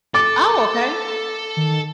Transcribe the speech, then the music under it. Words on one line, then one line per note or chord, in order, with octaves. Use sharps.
Oh, okay,
A4 D6 A6
D#3